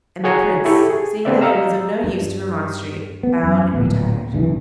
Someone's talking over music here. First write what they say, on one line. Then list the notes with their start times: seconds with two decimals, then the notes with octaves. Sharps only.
And the Prince, seeing that it was of no use to remonstrate, bowed and retired.
0.24 F#4 G#4 C#5 F#5 G#5 A#5
0.65 E4 G4 A4 C#6
0.90 G#4
1.25 A3 B3 C4 B4 D5 E5
1.41 D#5 F5 A#5 E6
2.04 G2
3.23 B3
3.43 F#2
3.73 D1 D#2 A#2 B3
4.33 F#1 C2 G2 E3